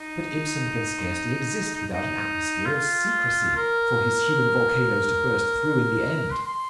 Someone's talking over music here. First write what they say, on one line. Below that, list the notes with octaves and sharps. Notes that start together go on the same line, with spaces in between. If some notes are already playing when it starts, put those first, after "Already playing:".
But Ibsen can scarcely exist without an atmosphere of secrecy for his human volcanoes to burst through in the end.
Already playing: D#4
D#4
D#4
F4
A#4
C6
C6